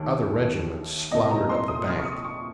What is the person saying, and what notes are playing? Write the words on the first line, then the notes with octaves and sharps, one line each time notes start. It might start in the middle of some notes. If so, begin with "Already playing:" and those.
Other regiments floundered up the bank.
Already playing: D#2 A3
C2 A#2 A3 D#5
A#5
C6
D#6
F6
C#6
D#6
C#6